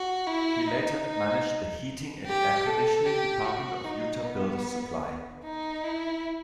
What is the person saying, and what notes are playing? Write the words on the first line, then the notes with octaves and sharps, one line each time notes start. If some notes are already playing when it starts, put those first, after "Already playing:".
He later managed the heating and air conditioning department of Utah Builders Supply.
Already playing: F#4
E4
D#4
D#4
G4
A4
G4
F#4
D#4
B3
D#4
E4